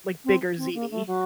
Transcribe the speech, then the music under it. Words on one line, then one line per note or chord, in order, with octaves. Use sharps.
like, bigger ziti.
C4
C4
A#3
A3
F#3